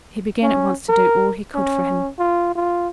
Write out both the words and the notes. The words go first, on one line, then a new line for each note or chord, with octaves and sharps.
He began at once to do all he could for him.
C#4
A#4
C#4
F4
F4